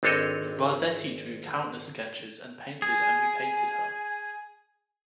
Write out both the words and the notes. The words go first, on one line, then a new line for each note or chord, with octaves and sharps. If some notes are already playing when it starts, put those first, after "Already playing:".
Rossetti drew countless sketches and painted and repainted her.
G#1 C4 D4 A4 C#5 D#5
G#4 G#5